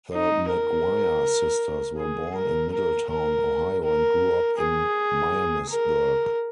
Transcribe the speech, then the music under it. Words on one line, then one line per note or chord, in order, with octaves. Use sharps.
The McGuire sisters were born in Middletown, Ohio, and grew up in Miamisburg.
D#4
A#4
G#4
A#4
A#4
A#4
A#4
G#4
A#4